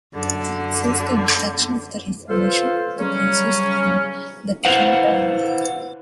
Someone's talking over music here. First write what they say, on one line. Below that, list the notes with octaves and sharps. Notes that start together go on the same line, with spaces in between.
Since the introduction of the Reformation, the places are Lutheran coined.
F#2 D3
F4 A4 B4 C5 F5
C#3 F#3 G3 C#4
E4 B4 C5 F5 F#5